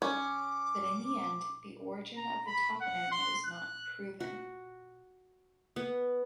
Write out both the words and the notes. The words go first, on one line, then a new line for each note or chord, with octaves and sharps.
But in the end, the origin of the toponym is not proven.
C#4 D6
A#5
B5
F#5
C6
F#6
F#4
B3